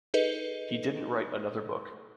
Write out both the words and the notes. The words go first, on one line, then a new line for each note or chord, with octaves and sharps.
He didn't write another book.
D#4 G#4 A4 B4 D#5